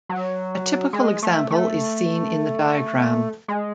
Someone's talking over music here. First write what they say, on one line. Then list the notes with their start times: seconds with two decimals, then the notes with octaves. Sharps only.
A typical example is seen in the diagram.
0.09 F#3
0.93 G#3
1.22 A3
1.51 A3
3.48 G#3